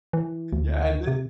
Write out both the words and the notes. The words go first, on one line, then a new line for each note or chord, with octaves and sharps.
yeah and they
E3
D2
C3